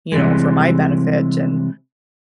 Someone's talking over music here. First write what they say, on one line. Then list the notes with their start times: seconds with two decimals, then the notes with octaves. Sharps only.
you know, for my benefit, and,
0.12 C3 E3 F3 G3 G#3